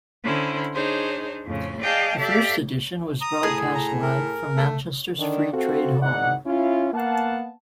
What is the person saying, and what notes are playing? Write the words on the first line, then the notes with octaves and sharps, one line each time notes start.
The first edition was broadcast live from Manchester's Free Trade Hall.
D3 C#4 E4 C5
D4 D#4 G#4 C5 C#5
F2 A2 C#3
G#4 D5 D#5 F5 G5 A5
G4 A4 D5 E5 F5
A#5 D#6
A2 G#4
A#5
A#4
A3
D3 D#3 D4
C4 F4 F#4 A4
G#1 E3 D#4 D5 F#5
C#4 E4 F4
A#3 B3 F5 F#5 A5